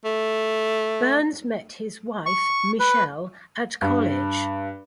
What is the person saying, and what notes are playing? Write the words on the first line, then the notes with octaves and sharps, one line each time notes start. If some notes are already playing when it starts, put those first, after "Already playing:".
Burns met his wife, Michelle, at college.
A3
C#6
B4
G2